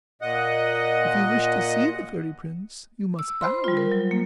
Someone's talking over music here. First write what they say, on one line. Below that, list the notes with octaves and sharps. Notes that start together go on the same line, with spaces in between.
If you wish to see the fairy prince you must bow.
A#2 D#5 F#5
E6
C5 B5 C6
G3 F4
A#4
F#3
A#3